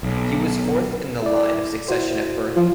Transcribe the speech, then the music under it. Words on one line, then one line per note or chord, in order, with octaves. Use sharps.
He was fourth in the line of succession at birth.
B1
E4 D5
E4 F#4 C5
F3